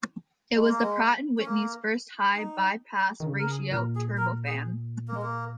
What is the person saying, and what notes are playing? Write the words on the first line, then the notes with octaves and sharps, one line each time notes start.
It was the Pratt and Whitney's first high-bypass-ratio turbofan.
G#3
A#3
G#3
C#4
A#3
D#4
D#3
C#3
A#4
G#4
A#2 A#4
G#4
A#4
G#4
A#3
G#3
A#3